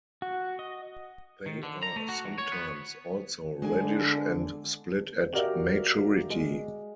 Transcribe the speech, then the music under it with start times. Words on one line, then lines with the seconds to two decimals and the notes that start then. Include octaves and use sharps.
They are sometimes also reddish and split at maturity.
0.22 F#4
0.59 D#5
1.46 D#3
1.63 D3
1.83 A#5
1.96 A3
2.09 F#4
2.25 E2
2.38 C#5
2.52 B3
3.62 D3 G#3 D4 G#5
5.33 F#4 G4 A#4 D5 E5 F5
6.30 G#3